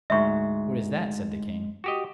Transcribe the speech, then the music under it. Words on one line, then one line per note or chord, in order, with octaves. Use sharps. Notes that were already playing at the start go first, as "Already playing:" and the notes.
"What is that?" said the king.
D2 G#2 G#3 E5 C#6
F#4 G4 D#5